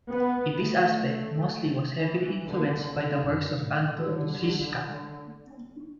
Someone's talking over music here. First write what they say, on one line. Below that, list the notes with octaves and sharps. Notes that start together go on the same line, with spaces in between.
In this aspect, Mosley was heavily influenced by the works of Anton Zischka.
B3
A3
E3
D3
D3
F#2
A2
D3